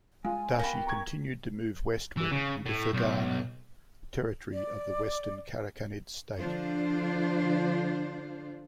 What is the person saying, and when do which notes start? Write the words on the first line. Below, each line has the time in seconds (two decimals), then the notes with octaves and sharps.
Dashi continued to move westward into Ferghana, territory of the Western Karakhanid state.
0.25 G#3 F4 G#5
0.59 B3 C#4 G4 A#4 B5
0.87 A#5 C#6 G#6
2.17 E3
2.31 C#3
2.66 A2
2.93 B1
4.53 D5
6.37 D3 F3 D4 F4 C5